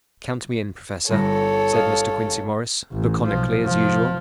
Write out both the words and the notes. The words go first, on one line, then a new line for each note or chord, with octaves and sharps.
"Count me in, Professor," said Mr. Quincey Morris, laconically as usual.
G1 A4 C#5 A#6
D#5 F5
A1
B1 F3
F1 F3